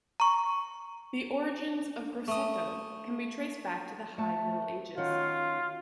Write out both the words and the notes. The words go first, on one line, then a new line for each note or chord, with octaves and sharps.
The origins of Grosseto can be traced back to the High Middle Ages.
A#5 C#6
A3 D#6
A3 E5 A5
D#3 C#4 F4 F#4